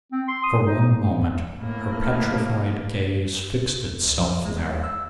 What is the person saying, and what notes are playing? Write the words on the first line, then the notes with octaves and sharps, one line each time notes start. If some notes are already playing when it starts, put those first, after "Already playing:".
For one moment her petrified gaze fixed itself there.
C4
C6
D#6
D#4
A2 A#3
C#2
F3
G#3
E6